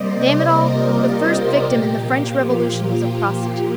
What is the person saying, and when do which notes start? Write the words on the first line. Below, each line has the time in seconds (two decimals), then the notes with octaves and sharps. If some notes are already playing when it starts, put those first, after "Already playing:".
Damn it all, the first victim in the French Revolution was a prostitute.
Already playing: C3 G3 A#3 C5 D5 D#5
0.33 A#4
0.64 F4
0.94 G4
1.56 A#2 F3 A#3
2.17 F4
3.39 G4